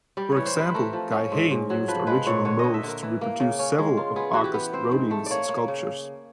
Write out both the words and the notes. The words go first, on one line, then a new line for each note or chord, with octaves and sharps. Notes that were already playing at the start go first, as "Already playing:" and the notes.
For example, Guy Hain used original molds to reproduce several of Auguste Rodin's sculptures.
G3 D5
E3 C#5
C5
C4 B4
A3 A#4
F3
C#4
G#2
G#2
F#3
F3 B4
G#3 B4
A#2 C#5
D3 C#5
D3 D#5
E5
D3 A#4
E3
A#3
C#3
C#4
G#3
F4
B3 G#4
E3 F#4
G4
B3
C4 C5
G#2
A3
A#3 C#5 D5
A#3
C#3